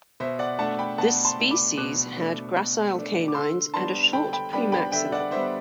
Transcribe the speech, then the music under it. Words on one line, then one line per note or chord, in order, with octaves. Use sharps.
This species had gracile canines and a short premaxilla.
B2 C5 E5
D5 F#5
A3 D4 F#5 A5
G5 B5
B2 F#5 A5
A5 C6
A3 D4
B5 D6
B2 D6 F#6
A3 D4
B2
A3 D4
D6
D3 C6 E6
G3 B3 D4 A5 C6
D3 G5 B5
G5 B5
G3 B3 D4 G5 B5
G5 B5
D3 E5 G5
D5 F#5
G3 B3 D4 C5 E5